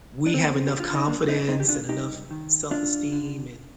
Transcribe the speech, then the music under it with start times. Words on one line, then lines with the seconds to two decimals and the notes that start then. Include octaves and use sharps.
we have enough confidence, and enough self-esteem, and
0.26 F2 D4
0.34 C4
0.42 A#3
0.51 C4
0.67 D3 G4
0.80 F4
0.94 D#4
1.08 G2 A#3 D4
1.28 C4 D#4
1.48 D#3 C4 D#4
1.60 G4
1.69 D4 F4
1.89 G2 D#4 G4
2.31 D#3
2.70 D#2 D4 F4
3.12 D3